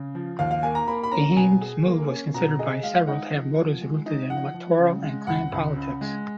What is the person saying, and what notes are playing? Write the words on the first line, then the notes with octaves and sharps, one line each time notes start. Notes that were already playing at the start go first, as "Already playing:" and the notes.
Kahin's move was considered by several to have motives rooted in electoral and clan-politics.
Already playing: C#3
F3
D#2 F5
F5
A#3 G#5
A#5
A#3 B5
B5
C#4 A#5
B2 G#5
G#4
A#3
C#4
B2 A#5
G#4 D#5
G#3 F5
D#4 F#5
F3
F3
G#3
D#4
F3 F#5
F3
C#3
G#3
C#2 F#5
C#2
C#3
G#3